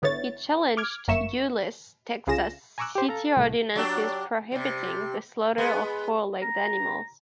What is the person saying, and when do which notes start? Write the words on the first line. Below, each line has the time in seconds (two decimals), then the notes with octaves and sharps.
He challenged Euless, Texas city ordinances prohibiting the slaughter of four-legged animals.
0.02 G#1 D3 B3 E4 C#5 A6
0.77 D6 F6 G#6
1.08 G1 F#2 A#3 E5 C#6 E7
2.27 C2 C#3 F4 G#4 A#6 E7
2.78 G#5 A#5 C#6 D6 E6 F#6
2.95 G4 C5
3.09 A4 F5 A#5
3.37 C2 A2 A3
3.75 F#3 D4 G4
4.52 C3 G3
5.58 G#3 B3
6.42 A#5